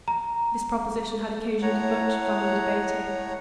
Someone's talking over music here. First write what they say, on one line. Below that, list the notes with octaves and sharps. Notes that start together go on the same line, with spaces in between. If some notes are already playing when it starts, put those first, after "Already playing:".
This proposition had occasioned much family debating.
A#5
A2 C#5 F#5 A#5